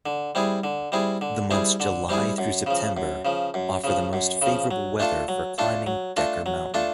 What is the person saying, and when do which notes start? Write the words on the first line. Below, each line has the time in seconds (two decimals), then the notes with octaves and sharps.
The months July through September offer the most favorable weather for climbing Decker Mountain.
0.06 D3
0.35 G3 C4 E4 G#4
0.64 D3
0.92 G3 C4 E4 G#4
1.21 D3
1.51 G3 C4 E4 G#4
1.80 D3
2.09 G3 C4 E4 G#4
2.38 F#2
2.66 C#3 F3
2.97 F#2
3.25 C#3 F3
3.54 F#2
3.84 C#3 F3
4.13 F#2
4.42 C#3 F3
4.71 F#3
5.00 A3 D4 F4 A4
5.28 F#3
5.58 A3 D4 F4 A4
5.87 F#3
6.17 A3 D4 F4 A4
6.46 F#3
6.74 A3 D4 F4 A4